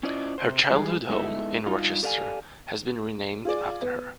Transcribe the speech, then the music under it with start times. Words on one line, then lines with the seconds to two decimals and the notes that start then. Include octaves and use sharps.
Her childhood home in Rochester has been renamed after her.
0.03 C#4 E4 F4 C5 D5 D#5
0.38 C3 C5
0.70 E3 G3 G#3 G#4
1.09 G#3 B3 D#4 E4 A4 E5
1.66 G2 D#4 F4
2.03 G4 A4 D5 F5 F#5 G#5
3.45 F4 G#4 D5
3.82 B3